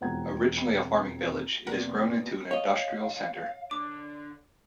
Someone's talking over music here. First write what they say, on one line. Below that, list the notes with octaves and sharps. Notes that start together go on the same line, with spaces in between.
Originally a farming village, it has grown into an industrial center.
E1 F2 C4 F#5 A#5 G#6
F2 C3 A#3 B3 A#4 D5 F#5
C#5 D#5 F5
D3 D4 D6